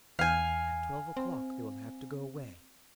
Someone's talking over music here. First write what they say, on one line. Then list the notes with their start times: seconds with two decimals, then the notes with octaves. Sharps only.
At twelve o'clock they will have to go away.
0.19 E2 F5 G#5
1.17 C4